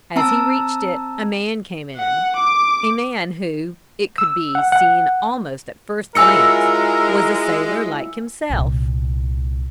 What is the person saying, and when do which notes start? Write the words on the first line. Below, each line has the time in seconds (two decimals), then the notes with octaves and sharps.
As he reached it a man came in; a man who, it could be seen almost at first glance, was a sailor like himself.
0.16 C4 A5 A#5 E6
1.96 F#5
2.36 D6
4.18 E6
4.55 F#5
4.72 F#5
6.15 F#3 G#3 E4 F4 A#4 G#5 E6 C#7
8.50 C2 A#2